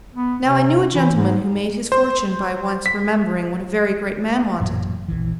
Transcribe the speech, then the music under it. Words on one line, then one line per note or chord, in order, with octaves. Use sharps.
Now, I knew a gentleman who made his fortune by once remembering what a very great man wanted.
B3
C3
E3
G#2
C5
B6
A1 F#2 A#2 F#3
A#1 E3